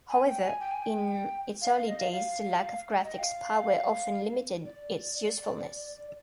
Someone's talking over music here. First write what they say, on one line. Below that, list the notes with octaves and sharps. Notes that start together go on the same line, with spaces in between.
However, in its early days the lack of graphics power often limited its usefulness.
G#5
G5
G#5
G5
G#5
G5
F5
F5
D#5
F5
F5
D#5
G5
F5
D5